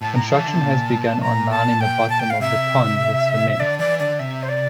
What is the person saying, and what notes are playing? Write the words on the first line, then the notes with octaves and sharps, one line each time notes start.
Construction has begun on lining the bottom of the pond with cement.
A2 A5
A#5
A5
F3
E3
D3
C3
A#2
A#5
A5
G5
A5
G5
F5
C3 E5
D3 D5
E3 D5
D3 D5
C3 E5
C5
D5